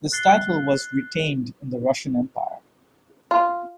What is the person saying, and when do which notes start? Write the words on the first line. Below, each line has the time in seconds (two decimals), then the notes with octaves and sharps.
This title was retained in the Russian Empire.
0.12 F#6 A6 C7 G7
3.31 F4